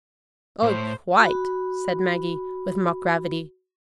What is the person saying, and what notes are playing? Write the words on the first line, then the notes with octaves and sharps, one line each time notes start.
"Oh, quite," said Maggie, with mock gravity.
A2 C5
F#4 B5